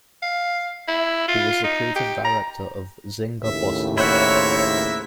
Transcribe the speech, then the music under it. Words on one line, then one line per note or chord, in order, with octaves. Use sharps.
He was the creative director of Zynga Boston.
F5
E4
F4
D#4
G4
A#5
D#2 A2 C#3 E5
A#3 E4 C5 C#5 E5 F#5